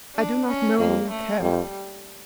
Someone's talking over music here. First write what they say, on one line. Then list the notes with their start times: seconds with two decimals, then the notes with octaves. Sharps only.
I do not know, nor care.
0.16 D4
0.48 C#4
0.78 F2 A#3
1.10 A3
1.41 F2 G3